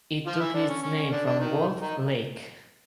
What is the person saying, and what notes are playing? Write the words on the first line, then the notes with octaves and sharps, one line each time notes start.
It took its name from Wolf Lake.
F3 F4
E3 E4
D3 D4
C#4
C#4
D3 D4
D3 D4
D#3 D#4
D#3 D#4